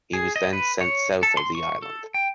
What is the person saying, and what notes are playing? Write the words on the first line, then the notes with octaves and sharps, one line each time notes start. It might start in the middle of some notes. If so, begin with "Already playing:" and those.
He was then sent South of the island.
G#4
D#5
B4
C#5
A4
C6
C#6
A4
G5